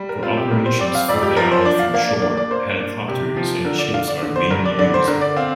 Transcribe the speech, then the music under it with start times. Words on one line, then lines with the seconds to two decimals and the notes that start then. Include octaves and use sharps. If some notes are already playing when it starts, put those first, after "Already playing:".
For operations further out from shore helicopters and ships are mainly used.
Already playing: G3
0.09 A#4
0.23 C4 F4
0.37 G4
0.51 G3 A#4
0.66 C5
0.79 C4 D5
0.95 F5
1.08 F2 D5
1.23 G4
1.36 F3 A#4
1.51 C5
1.65 D4 D5
1.79 F5
1.94 A#3 F5
2.09 D5
2.22 D4 D5
2.37 D5
2.51 A#3 C5
2.80 D4
3.08 C3 G4
3.36 F3
3.65 D3 A#4
3.79 D5
3.94 D3 F5
4.08 D5
4.23 D3
4.36 C5
4.50 G2 A#4
4.65 D5
4.79 D3 D5
4.94 C5
5.08 D3 A#4
5.21 D5
5.36 C4 F5